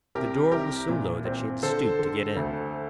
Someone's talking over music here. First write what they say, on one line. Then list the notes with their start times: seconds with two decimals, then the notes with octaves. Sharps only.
The door was so low that she had to stoop to get in.
0.15 C2 G4 A#4
0.52 C2 G4 A#4
0.89 A#2
1.25 C4
1.63 D3 A4 C5
1.99 D3
2.36 D2